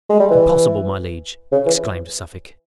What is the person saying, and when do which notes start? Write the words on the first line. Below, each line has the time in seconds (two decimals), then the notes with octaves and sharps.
"Impossible, my liege?" exclaimed Suffolk.
0.10 G#3
0.20 G3
0.31 E3
1.52 C#3
1.66 E3